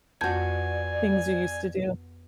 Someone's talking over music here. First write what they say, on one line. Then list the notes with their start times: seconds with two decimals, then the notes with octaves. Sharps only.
things you used to do.
0.21 F2 B3 F#4 D5 G#5 G6 G#6